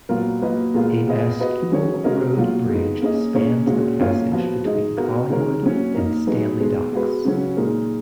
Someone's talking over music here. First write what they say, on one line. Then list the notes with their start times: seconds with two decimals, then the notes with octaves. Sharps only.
A bascule road bridge spans the passage between Collingwood and Stanley Docks.
0.09 A#2 F#3 B3 F4 A#4
0.42 F#3 A#3 F4 B4 D#5
0.74 A#2 G#3 B3 F4 A#4
1.06 B3 F4 G#4 B4 D#5
1.39 B3 F#4 B4 D#5
1.72 F#3 C#4 G#4 C#5
2.04 G#3 C#4 F#4 A#4 D#5
2.37 B2 F#3 A#3 F4
2.69 G#3 B3 D#4
3.02 A#3 C#4 G#4 D#5
3.34 A#3 C#4 G#4 C#5
3.67 A#2 G#3 C#4 F#4
3.99 A#3 C#4 F4 A#4 C#5
4.32 F3 B3 F#4
4.64 G#3 D#4 G#4 D#5
4.97 B3 F#4 A#4
5.29 D#3 G#3 D#4 A#4 C#5
5.62 F#3 A#3 C#4
5.95 A#3 D#4 A#4
6.27 F#3 B3 D#4 G#4 B4
6.60 B2 G#3 B3
6.92 G#3 B3 F#4 B4
7.25 C#3 F#3 C#4
7.57 A#2 G#3 D#4 A#4